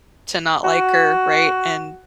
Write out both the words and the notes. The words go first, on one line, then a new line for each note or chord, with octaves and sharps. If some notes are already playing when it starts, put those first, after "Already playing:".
to not like her, right, and
F#4